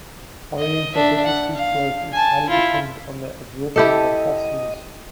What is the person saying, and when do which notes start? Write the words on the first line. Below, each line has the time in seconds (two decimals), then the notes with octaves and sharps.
Oriental bittersweet growth is highly dependent on the absorption of phosphorus.
0.57 D#5
0.94 D4 E5
1.25 F#5
1.55 F5
2.12 G#5 A5
2.49 E4 F4
3.76 E4 G4 A4 D#5